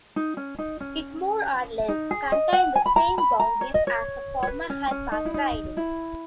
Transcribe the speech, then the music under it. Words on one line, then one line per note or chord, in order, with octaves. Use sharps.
It more or less contained the same boundaries as the former High Park riding.
D#4
C#4
D#4
C#4
D#4
G#4
D#5
F#5
G#5
B5
A#5
B5
A#5
C#5
D#5
C#5
C#5
B4
C#4
C#4
D#4
E4
D#4
E4